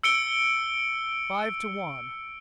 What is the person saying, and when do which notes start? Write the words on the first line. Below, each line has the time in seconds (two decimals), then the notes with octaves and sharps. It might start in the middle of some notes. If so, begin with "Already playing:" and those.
Five to one!
0.03 E6 C#7 D7 G7